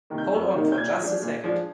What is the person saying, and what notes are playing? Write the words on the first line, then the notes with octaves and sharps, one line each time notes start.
Hold on for just a second.
C3 D#3 A#3 D#4
G6
F2
C3 D#3 A#3 D#4
G6
A#2 G#6
F3 G#3 D4
A#2
F3 G#3 D4